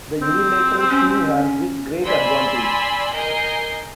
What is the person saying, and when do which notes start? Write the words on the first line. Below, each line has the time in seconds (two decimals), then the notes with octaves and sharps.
The unilateral shoe has this great advantage.
0.21 C4
0.89 C#4
2.05 D5 G#5 B5 C6 E6
3.14 A#4 D#5 G#5 G6 C7